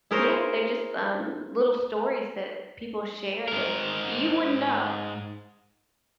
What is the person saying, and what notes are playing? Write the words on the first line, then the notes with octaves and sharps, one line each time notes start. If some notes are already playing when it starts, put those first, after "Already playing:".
yeah, they're just, um, little stories that people share that you wouldn't know.
E4 G#4 A#4 C5 C#5
G#2 A#4